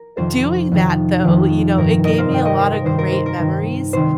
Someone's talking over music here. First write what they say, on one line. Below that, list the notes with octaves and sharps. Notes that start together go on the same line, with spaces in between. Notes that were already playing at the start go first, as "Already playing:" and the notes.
doing that though, you know, it gave me a lotta great memories
Already playing: A#4
F2 C3 D#3 C5
F2 C3 D#3
F2 C3 D#3
G2 D#3 A#4
A#4 D#5
C5 F5
G2 D#3 D#5 G5
A#4 D#5
C5
A#4
G2 D#3 C5
A#4
C5
A#4
G2 D#3
C3 D#3 C5